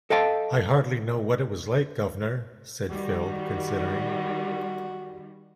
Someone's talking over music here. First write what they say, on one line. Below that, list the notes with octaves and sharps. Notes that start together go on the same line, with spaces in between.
"I hardly know what it was like, guv'nor," said Phil, considering.
A4 D#5 F5 G5 A5
D#3 G3 F#4